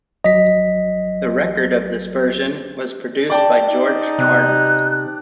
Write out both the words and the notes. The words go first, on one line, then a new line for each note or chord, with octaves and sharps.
The record of this version was produced by George Martin.
G#1 F#3 D#5 B6
D5 G5 A5
D#4
C3 F#6